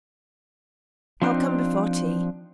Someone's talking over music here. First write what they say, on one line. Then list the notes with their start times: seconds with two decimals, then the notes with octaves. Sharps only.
I'll come before tea.
1.22 F3 C4 D4 D#4